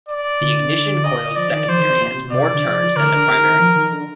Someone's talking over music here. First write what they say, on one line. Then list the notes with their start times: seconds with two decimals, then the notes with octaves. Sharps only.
The ignition coil's secondary has more turns than the primary.
0.09 D5
0.41 D3
1.04 D#5
1.36 F3 D5
1.48 D3
1.52 D#3
1.68 F3 C5
1.80 D#3
1.89 C3
2.01 A#2
2.11 C3
2.32 C3 D5
2.43 C3
2.54 D3
2.65 F3
2.96 D3 A#4
3.11 D3
3.28 C3
3.39 D#3
3.49 D#3
3.59 F3
3.76 D#3
3.92 D3